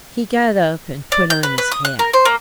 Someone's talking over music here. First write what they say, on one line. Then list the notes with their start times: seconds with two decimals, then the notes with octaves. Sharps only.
He got up and put on his hat.
1.12 D5
1.30 G6
1.43 B4
1.58 B4
1.72 D#6
1.85 F#6
1.99 A#4
2.13 C5
2.25 A#3